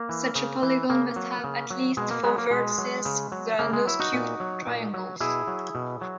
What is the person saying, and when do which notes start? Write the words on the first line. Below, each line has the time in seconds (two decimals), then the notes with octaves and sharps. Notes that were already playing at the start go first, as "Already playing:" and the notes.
Such a polygon must have at least four vertices; there are no skew triangles.
Already playing: A#3
0.09 E3
0.35 C#3
0.62 E3
0.90 C#3 A#3
1.16 F#3
1.44 C#3
1.70 F#3
1.97 B2 G#3
2.11 A#3
2.24 F#3 G#3 B3
2.38 A#3
2.51 B2 G#3
2.78 F#3
3.05 C#3
3.32 F#3
3.59 C#3 A#3
3.73 G#3
3.86 F#3 E4
4.00 D#4 F#4
4.13 A#2
4.40 F#3
4.67 A#2
4.94 F#3
5.20 B2 E4 G#4
5.47 F#3
5.75 B2
6.01 F#3